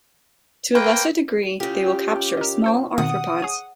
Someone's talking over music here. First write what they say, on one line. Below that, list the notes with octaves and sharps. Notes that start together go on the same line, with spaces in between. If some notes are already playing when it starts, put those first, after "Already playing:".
To a lesser degree, they will capture small arthropods.
A#3 B4 C5 G5
C#3 F4 G4
A#4 D#5
A4 C5 G5
B2 D#3 C4 F#5 D#6
G#4 C#5